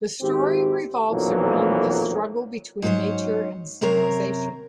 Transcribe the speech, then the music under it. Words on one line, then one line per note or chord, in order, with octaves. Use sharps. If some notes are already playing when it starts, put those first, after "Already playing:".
The story revolves around the struggle between nature and civilization.
G#1 D#3 C4 G4
B1 F2 A#2 E3 F#3 A#3
G#2 F#3 C#4 A4 C5 C#5
F#2 C3 C4 A#4 C#5 A#5